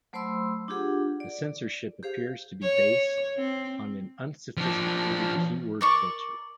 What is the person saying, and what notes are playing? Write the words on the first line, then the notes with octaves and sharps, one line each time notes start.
The censorship appears to be based on an unsophisticated keyword filter.
F#3 A3 C5 B5 C6 E6
D4 F4 G4 G#4 F#5
D5
G4 G#4 C5 F5
C#5
C4
F3 D4
A#4 D5 C#6